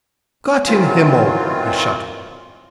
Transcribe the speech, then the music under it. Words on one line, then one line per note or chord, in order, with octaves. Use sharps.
"Gott in Himmel!" he shouted.
D#3 E3 F#3 C4 F4